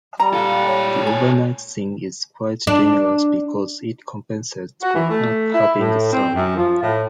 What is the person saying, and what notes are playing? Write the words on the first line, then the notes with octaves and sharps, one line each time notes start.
The overnight thing is quite generous because it compensates for not having a salary.
G3 A#5
A#2 A4 F5
C#5
G#5
D4
F#4
E3
A3
E4
A2
C4
F#2
F3
A2